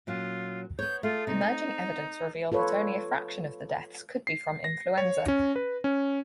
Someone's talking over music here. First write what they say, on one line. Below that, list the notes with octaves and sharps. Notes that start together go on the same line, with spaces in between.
Emerging evidence revealed that only a fraction of the deaths could be from influenza.
A#2 F#3 C#4 F4
B3 C#5 G6
A3 E4 F4 G#4
C3 D#4
C4
F4 A4 B4 C#5
C7
A#6
C#5
C#4
B4
C#4